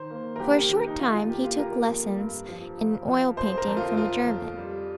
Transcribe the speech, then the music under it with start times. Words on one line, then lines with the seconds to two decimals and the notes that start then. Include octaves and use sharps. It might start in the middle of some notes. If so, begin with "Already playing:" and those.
For a short time he took lessons in oil painting from a German.
Already playing: D#3 C5
0.10 A#3
0.36 A#4
0.40 C2 G4
0.69 D#3
0.87 D#4
0.99 F2 F4
1.14 F4
1.29 A#3 G4
1.44 F4
1.58 A#3 A#4
1.89 F2
2.18 G2
2.48 F3
2.78 F3
3.08 F3
3.37 F2 C5
3.57 A#4
3.67 F2
3.77 F4
3.97 F2 F4
4.27 F2
4.57 G3